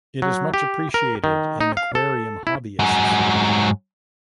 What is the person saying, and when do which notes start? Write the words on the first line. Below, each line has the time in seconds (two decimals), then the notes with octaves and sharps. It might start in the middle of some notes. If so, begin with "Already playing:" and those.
It is much appreciated in aquarium hobbyists.
0.22 F#3
0.54 G4
0.94 A#4
1.24 D#3
1.61 D#4
1.77 F5
1.95 A4
2.47 E4
2.79 G#2 F#3